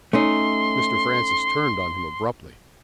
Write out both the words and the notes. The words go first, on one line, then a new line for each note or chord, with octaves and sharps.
Mr. Francis turned on him abruptly.
A3 C#4 D#4 C6